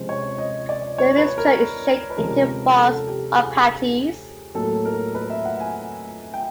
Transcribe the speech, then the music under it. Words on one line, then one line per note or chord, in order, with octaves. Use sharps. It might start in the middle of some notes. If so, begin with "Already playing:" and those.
The mixture is shaped into balls or patties.
Already playing: C3 F3 G#3 C#4 C5
C#5
D#5
D5
C#5
B4
A#4
B4
C3 F3 G#3 C#4 A#4
A4
G4
G#4
A2 F#3 A#3 A4
A#4
B4
E5
F#5
G#5
G5